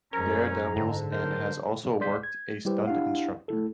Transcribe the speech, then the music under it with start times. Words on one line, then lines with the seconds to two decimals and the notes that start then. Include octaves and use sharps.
Daredevils and has also worked a stunt instructor.
0.13 F#2 F#3 G#3 C#4 A#4 C5 G#5 A#5
0.76 G#2 D3
1.12 E3 F#3 A#4 C5
2.01 D5 C6 G6 B6
2.23 G#6
2.65 G3 E4 G4 B4 C5
2.87 D4 E4 G4 F5 F#5
3.48 A3 E4 A4